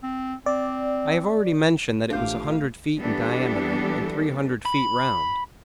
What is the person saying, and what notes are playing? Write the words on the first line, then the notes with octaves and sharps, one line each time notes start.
I have already mentioned that it was a hundred feet in diameter, and three hundred feet round.
C4
C4 D5
A1 A3 D4 F4 G4 C5 F5
E3 G3 B3 D4 G4 A4
B5